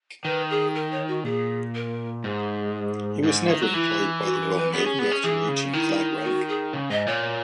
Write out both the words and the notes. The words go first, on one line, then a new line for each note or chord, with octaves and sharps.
He was never employed by the Royal Navy after reaching flag rank.
D#3 B4
G#4
A#4
C#5
F#4
A#2 G#4
A#4
G#2 G#4
G#2
D#3
F#3
E3 E4
F#4
A#4
B4
B3 G#4
C#4
B3 G#4
C#4
E3 G#4
C#3
D#3 E4
F#4
G#4
C#3
G#2 D#5
A#2 C#5